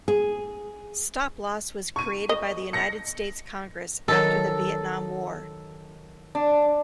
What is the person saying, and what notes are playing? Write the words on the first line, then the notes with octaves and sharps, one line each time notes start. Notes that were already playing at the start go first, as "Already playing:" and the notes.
Stop-loss was created by the United States Congress after the Vietnam War.
G#4
C#6 D#7
D#5
A#6 C#7
D#3 F#3 A4
D4